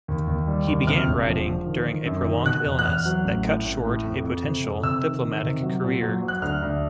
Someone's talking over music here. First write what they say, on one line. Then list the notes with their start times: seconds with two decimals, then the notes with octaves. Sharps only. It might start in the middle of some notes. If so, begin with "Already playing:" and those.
He began writing during a prolonged illness that cut short a potential diplomatic career.
0.08 D#2
0.27 D#2
0.47 G3
0.67 D#2
0.87 C3 F6
1.07 E1
1.27 F3
1.46 F3
1.66 D#3
1.86 D#3
2.06 F#2
2.26 D#3
2.46 B2 F#6
2.65 E2
2.79 F#6
2.85 E2 F6
3.05 F#3
3.24 A1
3.45 A2
3.65 A1
3.85 A2
4.04 F2
4.23 F2
4.43 C3
4.64 F2
4.83 C3 E6
5.03 D#3
5.23 D#3
5.43 C3
5.62 F#3
5.83 A#2
6.02 F#3
6.22 F#3
6.28 F#6
6.42 D2 F6
6.62 D2